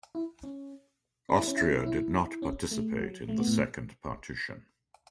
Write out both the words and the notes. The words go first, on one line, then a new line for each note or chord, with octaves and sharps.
Austria did not participate in the Second Partition.
E4
C#4
C#4
E4
C#4
E4
E4
C#4
A3
F#3
A3
B3
A2